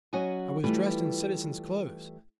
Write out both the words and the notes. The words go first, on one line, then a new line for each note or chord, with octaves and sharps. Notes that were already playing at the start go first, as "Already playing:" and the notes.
I was dressed in citizen's clothes.
F#3 C#4 F#4 D#5 F#5 G#5
E3 G3 A3 F4 G4 B4